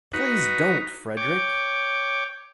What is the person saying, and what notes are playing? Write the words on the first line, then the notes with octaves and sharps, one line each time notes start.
Please don't, Frederick!
D#4 F#4 B4
C#5 G5 D6